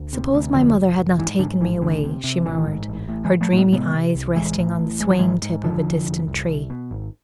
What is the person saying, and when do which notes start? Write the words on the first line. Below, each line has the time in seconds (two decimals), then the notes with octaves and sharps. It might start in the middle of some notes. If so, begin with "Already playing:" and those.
"Suppose my mother had not taken me away?" she murmured, her dreamy eyes resting on the swaying tip of a distant tree.
Already playing: D2
0.13 C3
0.34 D2
0.54 F1 D3 F3
0.76 F1
0.97 F1
1.19 G#2 E3
1.39 G#2 D3
1.61 A1 E3
1.81 D2 D3
2.04 C3
2.24 C3
2.46 A1 E3
2.67 G#2
2.88 A1
3.09 A2
3.25 E3 G#3
3.30 A2
3.41 F3 A3
3.52 A2 A3
3.57 G#3 B3
3.72 C3 G#3 B3
3.94 C3
4.15 C2
4.36 A1 E3 G#3
4.58 A2
4.79 A1
5.00 G#1 G#3
5.10 F3
5.19 G#2 E3 G#3
5.42 G#2
5.63 F1 D3 F3
5.85 F1
6.07 F1
6.27 C2
6.49 C2
6.70 B2
6.91 G#1